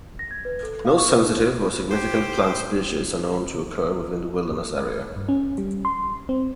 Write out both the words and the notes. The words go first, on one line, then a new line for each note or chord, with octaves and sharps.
No sensitive or significant plant species are known to occur within the wilderness area.
A#6
G#6
B4
A4
F5
C#6
B4
D#4
G4 C5
G2
C#4
G3
C6
C4